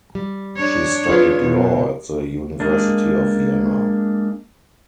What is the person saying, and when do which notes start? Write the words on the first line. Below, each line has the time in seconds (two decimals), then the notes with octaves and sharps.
She studied law at the University of Vienna.
0.15 G3
0.57 D4 C#5
1.09 F4 G#4 B4
1.42 B2
2.60 G#3 A#3 D4